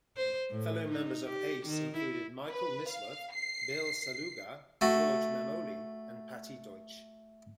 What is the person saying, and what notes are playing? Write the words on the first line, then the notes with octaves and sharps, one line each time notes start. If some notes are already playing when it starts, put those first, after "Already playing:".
Fellow members of Ace included Michael Mislove, Bill Saluga, George Memmoli, and Patti Deutsch.
C5
A2
D#4
G4
D#3
E4
B4
F5
C7
A3 F#4